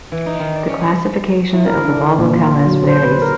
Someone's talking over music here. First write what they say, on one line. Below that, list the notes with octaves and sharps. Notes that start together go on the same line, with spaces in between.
The classification of the Volvocales varies.
E3
D#4
D#3
D5
C#4
G#4
E4
A#4
D4
D3
A#2
F4
D3
F#3
C5
B4
A#4